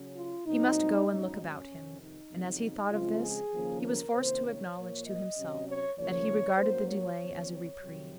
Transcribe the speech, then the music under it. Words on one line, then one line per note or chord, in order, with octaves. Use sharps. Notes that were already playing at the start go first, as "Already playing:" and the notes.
He must go and look about him;--and as he thought of this he was forced to acknowledge to himself that he regarded the delay as a reprieve.
Already playing: C#3 F#3 C#4
F4
A#2 F#3 C4 D#4
G#2 F#3 C#4 D#4
C#4
F2 C3 D#3
D#4
F2 C#3 F#3 C4
C#3 F3 G#3 C4 F4
G#4
D#2 C#3 F3 A#3 C#4
A#4
C3 D#3 A#3 C#4 C5
C#5
A#2 F3 A#3
D#5
C3 F#3 C#4
C#5
D#2 C#3 F3 A#3 C#4 C#5
G#2 F#3 A#3 C#4 C5
C#5
D#2 C#3 F3 C4
C#5
F2 C3 F#3 C4